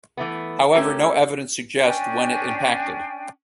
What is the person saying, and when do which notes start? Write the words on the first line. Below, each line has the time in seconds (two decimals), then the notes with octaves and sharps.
However no evidence suggests when it impacted.
0.17 E3 A3 B3
0.74 A3 C#4 G4 A4 A#4
1.84 C#4 D4 G5 G#5